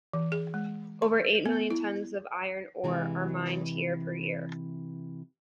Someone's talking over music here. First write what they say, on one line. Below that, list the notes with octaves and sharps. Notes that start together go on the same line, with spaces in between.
Over eight million tons of iron ore are mined here per year.
E3
G#4
G#3
C6
B3
E4
C3 E3 G#3